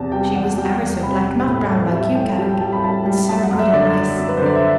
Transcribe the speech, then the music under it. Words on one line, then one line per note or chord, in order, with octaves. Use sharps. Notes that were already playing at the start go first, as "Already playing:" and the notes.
She was ever so black, not brown like you, Kadok, and so good and nice.
Already playing: E2 C3 A5
G3 G5
E2 F#5
G3 G5
E2
C3 B5
C3
A2 B5
A2 A5
G3 E5
A2 G5
G3 A5
G5
G3 A5
B5
G3 A5
G3
F#2 A5
F#5
F#2
E5
D3 D5
F#3
F#2
B4
C5
D3 D5
E5